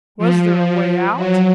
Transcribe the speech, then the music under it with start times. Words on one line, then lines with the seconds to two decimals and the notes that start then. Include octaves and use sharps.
Was there a way out?
0.18 F3
1.16 F#3